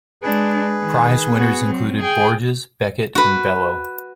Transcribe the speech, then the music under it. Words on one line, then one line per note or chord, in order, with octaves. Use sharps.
Prize winners included Borges, Beckett and Bellow.
G#3 D4 G#4 B4
D#3
B3 F#4
F#3 C4
G#4 G5
F#4 B4